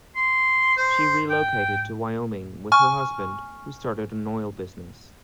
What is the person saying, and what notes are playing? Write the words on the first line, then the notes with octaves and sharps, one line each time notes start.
She relocated to Wyoming with her husband, who started an oil business.
C6
C5
G5
G#5 C#6 F6